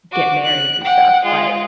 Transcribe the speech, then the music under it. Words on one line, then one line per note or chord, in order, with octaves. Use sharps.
get married and stuff, but,
F#4 D6
F#6
F#5 G5
G#3 F4